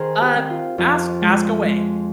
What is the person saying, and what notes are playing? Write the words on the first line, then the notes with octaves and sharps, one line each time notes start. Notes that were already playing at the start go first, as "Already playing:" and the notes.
uh, ask ask away.
Already playing: D#3 G#4 A#4 C5
G4
C4
F4
F2 F4
G#3
G#3